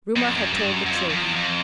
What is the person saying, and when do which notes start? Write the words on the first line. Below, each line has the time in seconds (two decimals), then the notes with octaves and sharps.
Rumor had told the truth.
0.16 F2
0.35 F#2
0.53 G2
0.72 F#2
0.86 F#2
0.91 F2
1.10 F2
1.23 E2
1.36 F2